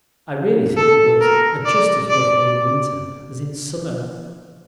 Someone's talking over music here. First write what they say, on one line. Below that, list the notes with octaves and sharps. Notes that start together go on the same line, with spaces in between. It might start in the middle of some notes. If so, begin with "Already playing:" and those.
I really think the woods are just as lovely in winter as in summer.
A4
A#4
D5
D5